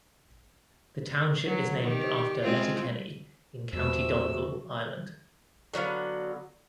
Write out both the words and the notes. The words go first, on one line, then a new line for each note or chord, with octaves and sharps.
The township is named after Letterkenny in County Donegal, Ireland.
F#3
D#3 G4
G#3 C4 F4
E2 C3 F3 A3 F#4 E6
D3 F#3 B3 F5